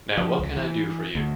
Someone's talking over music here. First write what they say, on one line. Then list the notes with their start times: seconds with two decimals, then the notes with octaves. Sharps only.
Now, what can I do for you?
0.17 F3
0.39 C#2
0.57 E3
1.15 D2